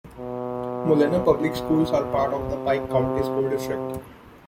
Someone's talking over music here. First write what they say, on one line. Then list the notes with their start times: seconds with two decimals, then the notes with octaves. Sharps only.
Molena Public Schools are part of the Pike County School District.
0.18 B2
1.26 B2
2.34 C3
2.88 C3
3.42 C3